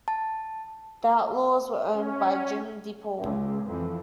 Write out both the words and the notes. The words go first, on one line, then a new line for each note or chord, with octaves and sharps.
The Outlawz were owned by Jim DePaul.
A5
C#4
C#2
F2 E3